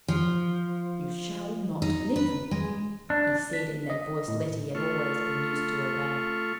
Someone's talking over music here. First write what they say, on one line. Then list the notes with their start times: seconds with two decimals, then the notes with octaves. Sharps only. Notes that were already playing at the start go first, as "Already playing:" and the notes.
"You shall not leave me!" he said, in that voice Letty had always been used to obey.
0.08 F3
1.82 D#4
2.16 B4
2.51 G#3
3.10 D4
3.53 B6
3.90 D#5
4.28 A2
4.75 A3 F4 C#6